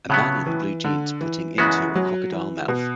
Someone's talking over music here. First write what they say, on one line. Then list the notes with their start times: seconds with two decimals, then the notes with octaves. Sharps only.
A man in blue jeans putting into a crocodile mouth.
0.09 A2 C#3 F#3 B3
0.46 E3
0.84 D3
1.21 E3
1.58 F#2 C#3 E3 G#3 B3 F#4
1.95 F#3
2.32 E3
2.68 B2